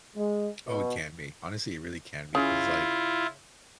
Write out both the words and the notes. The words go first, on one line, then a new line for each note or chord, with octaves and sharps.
Oh, it can be. Honestly, it really can be 'cause, like,
G#3
B2
C#3 E4 F4